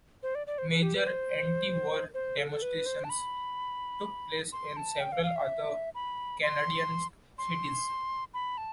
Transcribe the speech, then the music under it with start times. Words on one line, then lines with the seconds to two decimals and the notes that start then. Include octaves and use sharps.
Major anti-war demonstrations took place in several other Canadian cities.
0.23 C5
0.35 D5
0.47 D5
0.58 C5
0.70 B4
0.82 G4
0.94 B4
1.07 C5
2.14 C5
2.38 A4
2.51 A4
2.62 B4
2.86 C5
3.04 A5
3.09 B5
4.52 C6
4.77 A5
5.00 G5
5.12 F5
5.23 F5
5.36 E5
5.95 B5
6.43 C6
7.38 C6
8.34 B5
8.57 A5